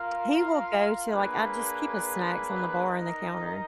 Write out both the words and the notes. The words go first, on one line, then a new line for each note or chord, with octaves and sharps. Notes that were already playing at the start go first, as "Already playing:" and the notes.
He will go to, like I just keep his snacks on the bar and the counter
Already playing: F4 A#4 F5
A#3 D4 G#4 B4
D#4 A#4 D#5